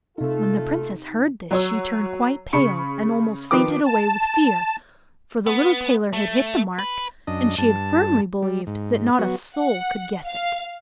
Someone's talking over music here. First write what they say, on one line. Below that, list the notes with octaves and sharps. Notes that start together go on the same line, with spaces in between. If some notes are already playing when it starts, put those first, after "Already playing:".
When the Princess heard this she turned quite pale, and almost fainted away with fear, for the little tailor had hit the mark, and she had firmly believed that not a soul could guess it.
C3 A3 D#4 F4 A4
F#3 C#5 E6
C#3 B5 C#6 C#7
D#3 F3 B4 D6
A5
B3
A3
B4
F#2 D4 D#5
G2 A5
G3
G#2
F#3 B3 F#4
F#5
F5